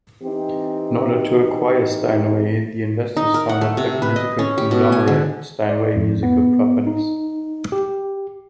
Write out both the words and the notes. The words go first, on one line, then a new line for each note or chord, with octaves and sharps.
In order to acquire Steinway, the investors founded the musical conglomerate Steinway Musical Properties.
E3 C4 D#4 G4
D#4
A#4
F#5
A3
C3
B4
D#5
C#4
G4
B2
G#5
D3
D5
F2
B3
D#4
G4